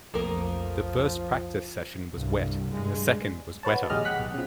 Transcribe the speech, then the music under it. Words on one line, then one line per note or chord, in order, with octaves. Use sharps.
The first practice session was wet, and the second was wetter.
B1 F2 F3 A3 A#3 A#4 D#6
C2 G2
G2 G#3
F#4 B4 C#5 A5
A#1 D#2 G#3 G4 D#5 F6
F#5 G5 F#6 B6
B1
C#3 F3